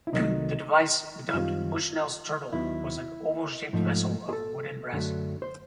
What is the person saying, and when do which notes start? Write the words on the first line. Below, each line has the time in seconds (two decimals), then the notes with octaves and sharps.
The device, dubbed Bushnell's Turtle, was an oval-shaped vessel of wood and brass.
0.07 E4
0.12 C2 C3 D#3 F#3 A3 D#4
1.29 E4
1.33 F#2 D#3 G3 C4 F4
2.53 D#2 D#3 F#3 B3 E4
3.73 G#2 F3 A3
4.29 G#4
4.33 A4
4.93 F#2 D3 F#3 A3
5.42 C5